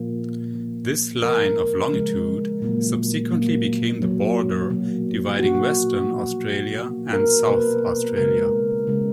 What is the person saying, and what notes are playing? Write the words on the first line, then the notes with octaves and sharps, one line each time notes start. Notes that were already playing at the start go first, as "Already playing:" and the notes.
This line of longitude subsequently became the border dividing Western Australia and South Australia.
Already playing: A#2 F3 A#3
A#2 F3 A#3
C#3 F3 G#3 A#4
C#3 F3 G#3
A#2 F#3 A#3
A#2 F#3 A#3
B2 F#3 A#3
B2 F#3 A#3
A#2 F3 A#3 F#4
A#2 F3 A#3
B2 A#3
A#4
B2 A#3 B4
C#3 G#3 A#4
C#3 G#3